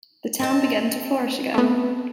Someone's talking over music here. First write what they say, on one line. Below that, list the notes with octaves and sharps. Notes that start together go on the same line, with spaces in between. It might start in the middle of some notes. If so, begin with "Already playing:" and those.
The town began to flourish again.
C4 D#5 A5
A3 B3